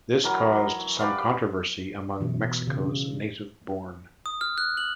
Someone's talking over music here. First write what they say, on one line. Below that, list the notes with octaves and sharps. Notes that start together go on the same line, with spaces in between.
This caused some controversy among Mexico's native-born.
E3 F#3 A#4
G4 B4 D5 F5
B2 E3
C#3
D#6
F6
F#6
F#7